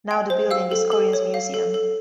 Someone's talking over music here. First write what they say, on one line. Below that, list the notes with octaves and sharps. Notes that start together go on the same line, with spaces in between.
Now the building is Korin's museum.
G5
C5
F5 E6
A4
A4
C#5
F5
A4
A4